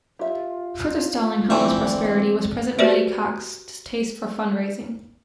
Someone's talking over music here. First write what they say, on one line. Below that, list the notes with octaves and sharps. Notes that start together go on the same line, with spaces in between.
Further stalling Hollins' prosperity was President Matty Cocke's distaste for fundraising.
F4 G4 E5
D2 E3 C4 E4 D5 E5
F#4 G4 B4 C5 D5 E5